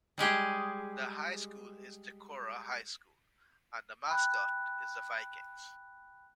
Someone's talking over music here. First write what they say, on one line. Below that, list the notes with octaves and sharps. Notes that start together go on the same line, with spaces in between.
The high school is Decorah High School, and the mascot is the Vikings.
G3 G#3 G4 G#4
G5 B5 F#6